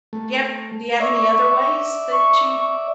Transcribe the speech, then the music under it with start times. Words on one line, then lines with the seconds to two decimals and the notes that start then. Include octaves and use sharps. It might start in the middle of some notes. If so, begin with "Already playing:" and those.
Do you have do you have any other ways that you
0.13 A3
1.00 D5 E5 C#6
2.11 C#6